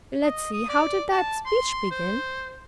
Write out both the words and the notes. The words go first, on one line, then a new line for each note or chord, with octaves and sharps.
Let's see--how did that speech begin?
D#5
D#6
D5
A5
C6
C5